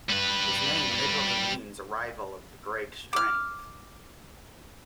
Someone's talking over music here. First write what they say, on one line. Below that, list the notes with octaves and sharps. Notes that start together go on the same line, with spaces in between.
His name literally means "arrival of the great strength".
G3 B4
D6 F6